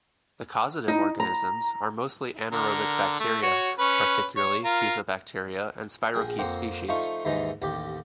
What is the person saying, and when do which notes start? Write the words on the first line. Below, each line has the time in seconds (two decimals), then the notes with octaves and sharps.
The causative organisms are mostly anaerobic bacteria, particularly Fusobacteria and spirochete species.
0.88 D#4
1.20 A#5
2.52 D3 A#4
3.20 A3
3.42 F#4 C#5
3.79 C#4 B4
4.37 C#5
4.65 F4 A#4
6.14 A#1 G#4 G5
6.39 F2 A#3 C4 F#5 G5
6.89 F3 A3 D#4 F4 C#6
7.25 D#2 G#2 E3 G#3 D#4
7.62 A1 D#2 G4